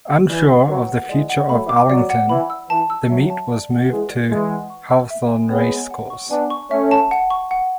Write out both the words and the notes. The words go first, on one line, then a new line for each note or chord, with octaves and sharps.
Unsure of the future of Arlington, the meet was moved to Hawthorne Race Course.
F#6
E3 D5
F#5
F#3 B4
F#5
E3 G#3 D5
F#5
F#3 A3 B5
D6
F#3 D5
F#5
E3 B5
E6
E3 A5
E6
F#3 E5
A5
D5
F#5
E3 G#3 B4
D5
E3 G#3 B4
F#5
C#6
E6
E5
G#5
G#3 B3 C#5
G#5
F#5
C#6
B3 D4 G#5
C#6
A3 C#4 E5
A5
F#5
C#6
F#5